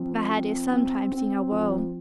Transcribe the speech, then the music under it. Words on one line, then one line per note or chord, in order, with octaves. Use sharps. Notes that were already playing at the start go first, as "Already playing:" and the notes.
My head is sometimes in a whirl.
Already playing: F3 C4
C4
C4
C4
F3